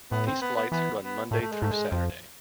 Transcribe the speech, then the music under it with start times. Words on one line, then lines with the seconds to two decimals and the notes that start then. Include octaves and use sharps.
These flights run Monday through Saturday.
0.11 A2 B3
0.26 C4
0.41 B3
0.56 B3
0.72 E3 B3
1.01 B3
1.31 A2 A3
1.41 A3
1.51 G#3
1.62 G#2 A3
1.72 G#3
1.91 F2 F3